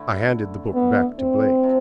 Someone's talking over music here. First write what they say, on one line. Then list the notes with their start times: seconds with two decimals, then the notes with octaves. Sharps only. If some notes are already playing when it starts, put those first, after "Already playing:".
I handed the book back to Blake.
Already playing: D3 A3 E4
0.75 B3
1.19 C4
1.63 C3 F3